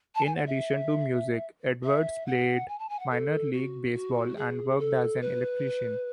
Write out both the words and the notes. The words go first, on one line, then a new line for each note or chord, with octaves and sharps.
In addition to music Edwards played minor-league baseball and worked as an electrician.
A5
G#5
F#5
E5
E5
F#5
G#5
A5
G#5
F#5
A4
F#4
F#4
G#4
A4
B4